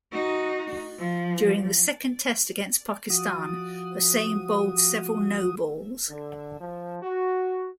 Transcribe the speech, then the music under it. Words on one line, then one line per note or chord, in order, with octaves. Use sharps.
During the second Test against Pakistan, Hossain bowled several no-balls.
D#4 F#4
F3
F3 F#4 D#6
D3
F3
F#4